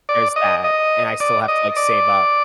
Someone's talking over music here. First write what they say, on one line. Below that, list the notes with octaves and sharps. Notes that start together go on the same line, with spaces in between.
there's that, and I still have to, like, save up.
D5
D#5
D#5
D5
D#5
D5